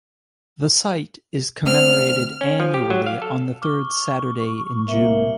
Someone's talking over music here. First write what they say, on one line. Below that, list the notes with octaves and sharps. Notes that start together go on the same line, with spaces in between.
The site is commemorated annually on the third Saturday in June.
D2 C4 F6
C#4
F3
G4
F#3
F5
A4
C#6 D6 F6 G7
C2 A#3 E5 C#7 F#7 G7